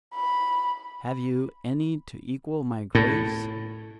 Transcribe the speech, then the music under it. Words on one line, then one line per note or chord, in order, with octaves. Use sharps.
Have you any to equal my grace?
B5
A2